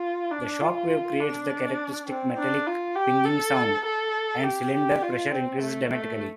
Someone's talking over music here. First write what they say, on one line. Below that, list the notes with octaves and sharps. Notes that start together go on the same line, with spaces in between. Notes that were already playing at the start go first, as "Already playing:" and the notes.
The shock wave creates the characteristic metallic "pinging" sound, and cylinder pressure increases dramatically.
Already playing: F4
D4
F4
D4
C4
D4
F4
G4
A4
A4
G4
G4
F4
C4
A3
A3